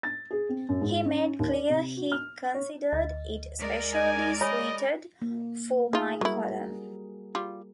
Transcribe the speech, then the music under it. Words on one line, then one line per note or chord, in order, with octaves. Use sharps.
He made clear he considered it especially suited for my column.
A6
G#4
C4
F#2
G#2
C#4
D#2
D5
C3
F#4
F6
C#5
D2 D#5
G#3 A#4 D5
G#5
C#5 D#5 G#5 B5
A#3
D#4 F4 G#4
F#3 G3 E4 F#4 A#4
G3 F4